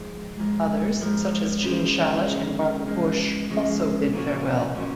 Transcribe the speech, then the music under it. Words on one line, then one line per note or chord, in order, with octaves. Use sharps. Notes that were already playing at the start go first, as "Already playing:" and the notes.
Others, such as Gene Shalit, and Barbara Bush also bid farewell.
Already playing: G#2 F3 G#3
G#2 F3 G#3
G#2 F3 G#3
C#3 F3 G#3
C#3 F3 G#3
C#3 F3 G#3
C#3 F3 G#3
A#2 F3 A#3 C#4 F#4
A#2 F3 A#3 C#4 F#4